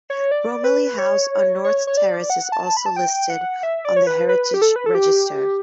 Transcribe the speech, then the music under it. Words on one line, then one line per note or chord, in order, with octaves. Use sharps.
Romilly House on North Terrace is also listed on the Heritage Register.
C#5
D5
B4
C#5
C#5
C#5
D5
F#5
A5
B5
A5
G5
F#5
E5
D5
C#5
B4
B4
G4
A4
B4
A4
G4